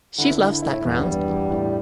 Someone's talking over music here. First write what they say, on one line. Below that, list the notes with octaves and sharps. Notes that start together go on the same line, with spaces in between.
She loves that ground.
D3 E3 E4
E4
A2 A3 E4
E2 G2 G3
E2
E2
A2